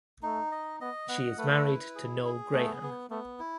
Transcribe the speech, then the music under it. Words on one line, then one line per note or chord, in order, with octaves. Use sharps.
She is married to Noel Grehan.
A3 D#4
D#5
B3 D#5
B3 F#5
A3 B4
E4
G#4
G#4
A3 B3
B3
A3 B3
E4